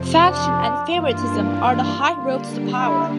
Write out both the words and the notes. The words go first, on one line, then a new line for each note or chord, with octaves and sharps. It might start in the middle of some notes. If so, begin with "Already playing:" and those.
Faction and favouritism are the high roads to power.
Already playing: F2 C3 F3 C4
D4
G2 E3 A#3 D4 F4
D3 G3 A#3 D4
E4